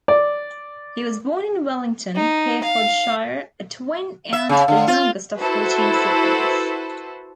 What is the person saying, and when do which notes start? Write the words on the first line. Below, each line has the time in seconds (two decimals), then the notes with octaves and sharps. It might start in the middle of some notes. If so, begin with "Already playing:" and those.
He was born in Wellington, Herefordshire, a twin, and the youngest of fourteen siblings.
0.08 D5
2.16 D#4
2.64 F5
4.33 E5
4.49 C#3
4.68 D3
4.88 F4
5.40 E4 F#4 A4 B4 C5